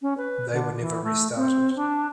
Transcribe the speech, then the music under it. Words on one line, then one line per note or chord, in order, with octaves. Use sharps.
They were never restarted.
C#4
B4
D3
E3
A3
C4
D4